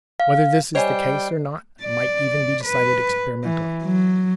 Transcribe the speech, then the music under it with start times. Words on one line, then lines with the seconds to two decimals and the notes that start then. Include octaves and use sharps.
Whether this is the case or not might even be decided experimentally.
0.20 F5
0.75 G3 C5 C#5 D#5 G5 G#5 C7
1.83 D5
2.65 B4
3.44 E3
3.83 F#3